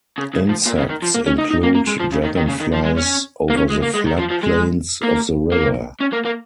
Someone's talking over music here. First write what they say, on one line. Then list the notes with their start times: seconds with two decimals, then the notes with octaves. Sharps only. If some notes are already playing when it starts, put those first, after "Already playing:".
Insects include dragonflies over the flood plains of the river.
0.18 C#3
0.34 C#3
0.49 F3
0.66 A#2
0.78 C#3
0.90 D#3
1.02 F3
1.14 A#3
1.26 C#4
1.38 D#4
1.51 D#4
1.63 A#3
1.75 A#3
1.87 G#3
2.00 F3
2.12 C#3
2.24 D#3
2.37 D#3
2.48 C#3
2.60 D#3
2.73 F3
2.85 G#3
2.97 C#4
3.50 A#3
3.57 C#4
3.70 G#3
3.82 A#3
3.94 G#3
4.06 D#3
4.18 F3
4.30 F3
4.43 G#3
5.03 A#3
5.52 A#3
6.01 C#4
6.13 A#3
6.25 A#3